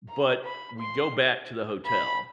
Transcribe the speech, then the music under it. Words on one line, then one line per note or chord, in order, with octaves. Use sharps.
but we go back to the hotel,
A#5
B5
C6
B5